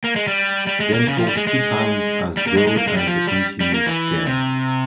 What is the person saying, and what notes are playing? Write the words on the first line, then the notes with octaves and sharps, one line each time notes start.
Ventrals two times as broad as the contiguous scales.
A#3
G#3
G3
G3
G#3
A#3
C#3
F3
G3
G#3
G#3
G3
A#3
G#3
G#3
A#3
G#3
G3
F3
G3
G3
A#3
E3
C3